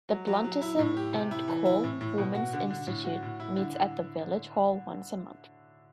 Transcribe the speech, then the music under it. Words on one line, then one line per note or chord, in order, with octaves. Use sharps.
The Bluntisham and Colne Women's Institute meets at the village hall once a month.
F#3
F#3
F#3
E4
A2
G4
C3
E4
E3
E4
A2
A2
B2
F#4
D3
D3
A2
F#4
A2
E4
D3
D3